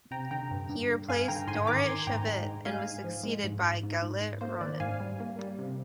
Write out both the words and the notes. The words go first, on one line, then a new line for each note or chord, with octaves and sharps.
He replaced Dorit Shavit and was succeeded by Galit Ronen.
C3 G5 A#5
D3 G5 A#5
G2
G2
D3
G2 F5 G#5
D3 G5 A#5
G#2 G#5 C6
D#3 A#5 D6
D#3 G#5 C6
G#2 G5 A#5
G#3
G#2
G#3 F5 G#5
G#2
F3
G#3
G#2
G#2
G#2
G#2
G#2
A#3 C5
D#3 D5
G#2 F5 G#5
G3
A#3
G3
C3